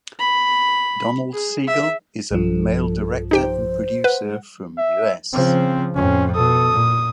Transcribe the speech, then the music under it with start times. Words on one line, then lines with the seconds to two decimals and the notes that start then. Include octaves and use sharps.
Donald Siegel is a male director and producer from US.
0.19 B5
1.32 G#4
1.67 E5
2.31 B1 G2 F3 A4
3.31 D#4 G4 C5 G5
4.04 B4 F#5
4.78 E5
5.33 C#3 F3 C4
5.95 F2 A2 C#4
6.35 B2 A4 D#6
6.73 A#2